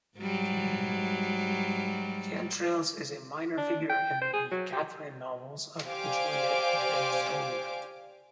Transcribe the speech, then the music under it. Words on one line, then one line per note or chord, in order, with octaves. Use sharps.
Xaintrailles is a minor figure in the "Catherine" novels of Juliette Benzoni.
G#2 F#3 G3
D4
G5
C5
G#4
F#3
G4
G4 C5 D5 F5 G#5 D6